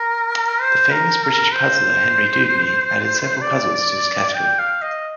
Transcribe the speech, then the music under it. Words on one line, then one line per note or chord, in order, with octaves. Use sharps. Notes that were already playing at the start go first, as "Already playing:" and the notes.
The famous British puzzler Henry Dudeney added several puzzles to this category.
Already playing: A#4
C5
A#4
A#4
C5
D5
G5
F5
D#5